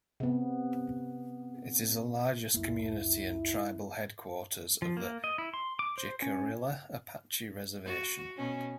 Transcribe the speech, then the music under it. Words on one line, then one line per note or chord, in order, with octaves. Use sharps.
It is the largest community and tribal headquarters of the Jicarilla Apache Reservation.
C3 B3
C#2 F#2 A#3 E4
F3
A#3
D#5
E4
C6
D6
C5
C#4
F#4
B2 C#4